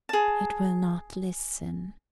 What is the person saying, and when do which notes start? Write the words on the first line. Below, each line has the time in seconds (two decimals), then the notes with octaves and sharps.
"It will not listen!"
0.09 G#4 A5